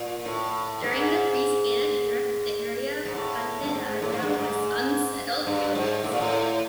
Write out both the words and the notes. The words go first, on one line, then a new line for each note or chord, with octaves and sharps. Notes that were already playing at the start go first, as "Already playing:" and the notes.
During the pre-Spanish era, the area of Candelaria was unsettled forest.
Already playing: A#2
A2
G#2
G#2
A2
G2
G#2
A2
G#2
G2
G#2
G2
G#2
A2
A#2
A2